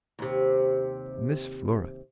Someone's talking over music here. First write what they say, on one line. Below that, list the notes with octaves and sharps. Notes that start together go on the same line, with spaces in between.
Miss Flora!
D#2 C3